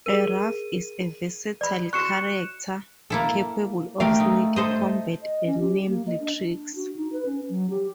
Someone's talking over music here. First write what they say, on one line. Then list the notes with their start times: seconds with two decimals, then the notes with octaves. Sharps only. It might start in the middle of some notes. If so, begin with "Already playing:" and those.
A rogue is a versatile character, capable of sneaky combat and nimble tricks.
0.06 G#4 A#4 D#7
1.61 D5 B5
1.93 F#4 C#6 F#6 C#7 E7
3.10 A#3 E4 A4
4.00 A3 G4 A#4 F5
4.20 D#4
4.56 A4 C5 D#5
5.22 D#5
5.46 C#4
5.59 G4
5.87 A#3
6.07 D#5
6.20 D4
6.75 F#4
6.96 D#4
7.13 B4
7.25 C#4
7.49 F#3
7.70 G4